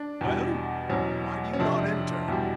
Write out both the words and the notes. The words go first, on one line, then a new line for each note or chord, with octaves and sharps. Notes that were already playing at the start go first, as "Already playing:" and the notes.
"Well! why do you not enter?"
Already playing: D4
E2 B2 G3
E2 B2 F#3 C#4
C#4
F2 C3 F3 D4
E2 B2 G3